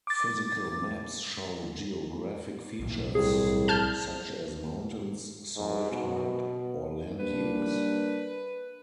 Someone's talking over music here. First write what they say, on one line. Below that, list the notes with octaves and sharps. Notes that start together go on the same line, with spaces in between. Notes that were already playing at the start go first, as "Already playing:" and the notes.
Physical maps show geographic features such as mountains, soil type or land use.
D6 A6
B1 A2
C2 G#4
A5 F6 G6
G#2
B2
G3 A#3 D4 B4